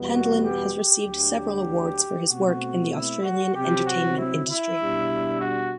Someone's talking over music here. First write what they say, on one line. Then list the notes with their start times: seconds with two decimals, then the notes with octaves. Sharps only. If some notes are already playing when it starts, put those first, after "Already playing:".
Handlin has received several awards for his work in the Australian entertainment industry.
Already playing: E2 B2 G3 B3
0.11 F#4
0.42 G4
0.73 G4
1.04 D2 D3 F#3
2.29 B2 A3 C4 F#4
2.91 E4
3.22 F#4
3.53 C3 F#3 C4 G4
3.84 F#4
4.15 E4
4.47 E4
4.78 B2 G3 D4
5.40 F#4